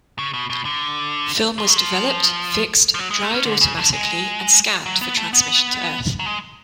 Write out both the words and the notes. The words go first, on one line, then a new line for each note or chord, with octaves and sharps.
Film was developed, fixed, dried automatically, and scanned for transmission to Earth.
C#3
B2
B2
D3
F3
F#3
F3
F3
F#3
G#3
A3
C#4
D3
C#3
D3
G#3
F#3
B3
A3
B3
F#3
G#3